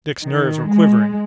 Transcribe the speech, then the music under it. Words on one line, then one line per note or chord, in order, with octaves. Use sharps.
Dick's nerves were quivering.
D#3
G#3